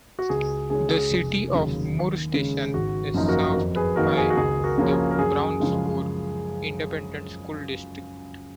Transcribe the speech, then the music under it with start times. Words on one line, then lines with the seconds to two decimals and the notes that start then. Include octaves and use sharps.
The City of Moore Station is served by the Brownsboro Independent School District.
0.19 F#4
0.29 C#2 G#4
0.70 C#3 G#3 C#4 G#4
0.91 G#4
1.11 F1
1.52 D#2 C#3 F#3
1.93 D#2
2.33 C#3 G#3 C#4
2.74 G#1 F#4
3.14 F#2 F3 A#3 D#4
3.28 F#4 A#4
3.56 F2
3.75 G#4 B4
3.96 D#3 A#3 D#4 F#4 A#4
4.17 G#4
4.30 F#4
4.37 C#2 G#4
4.64 F#4 A#4
4.78 C#3 F3 A#3 C#4
4.91 G#4
5.11 A#4
5.18 F#2 G#4
5.60 C#3 F3 G#3